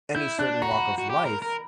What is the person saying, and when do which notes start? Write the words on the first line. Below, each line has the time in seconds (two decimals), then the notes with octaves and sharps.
any certain walk of life
0.15 E4 G6
0.39 D4 F#6
0.62 F#4 A#5
0.71 B5
0.79 A#5
0.98 F#4
1.09 G4
1.25 A#4
1.42 A#4